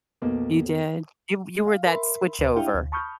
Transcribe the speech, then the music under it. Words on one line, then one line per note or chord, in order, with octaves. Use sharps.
You did? You w You were that switchover,
B1 F2 A#3 B3 A4
F5
A#4 E5 B5 C6
D2 B4
D4 E4 G4 E5 F5 G5
D2
A5 B5 C#6 D#6 F6 G6